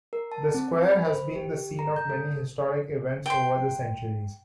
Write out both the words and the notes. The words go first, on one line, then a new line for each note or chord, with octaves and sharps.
The Square has been the scene of many historic events over the centuries.
A#4
A5
C4
B5
C5
G4
A#5
G6
A4
G5 C6